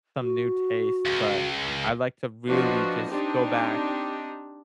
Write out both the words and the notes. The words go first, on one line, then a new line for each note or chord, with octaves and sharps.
some new taste. But I like to really just go back
F#4
C#2
F3 D4 F4 F#4 B4 D#5
C4 D4 D#4 G4